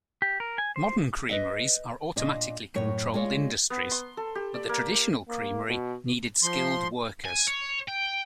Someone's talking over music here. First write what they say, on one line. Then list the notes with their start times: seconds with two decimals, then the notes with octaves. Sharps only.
Modern creameries are automatically controlled industries, but the traditional creamery needed skilled workers.
0.22 G4
0.40 A#4
0.58 G#5
0.76 C5
1.29 B4 D#5 E5
2.16 A#2 D4 D#5
2.74 F#2 A2 C#5
3.14 G#3 D4 F4 C#5
3.70 B3
3.91 C6
4.17 A4
4.35 G4
4.54 D5
4.69 A#3
5.28 A#3
5.69 B2
6.43 F3 C6
7.25 G#5
7.48 C#5
7.89 G5